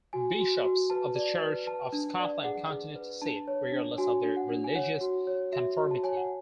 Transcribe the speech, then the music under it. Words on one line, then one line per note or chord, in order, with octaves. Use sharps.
Bishops of the Church of Scotland continued to sit, regardless of their religious conformity.
F#4 G#5
F#4
F#4
B4 A5
D5
B4
B4 A5
D4
D5
G#4 F#5
G#4
B4
D4 A5
C#5
D4
F#4 G#5
D4
F#5
D4
G#5
C#5 F#5
F#4
C#5
F#4 E5
F#4
A5
C#5 G#5
F#5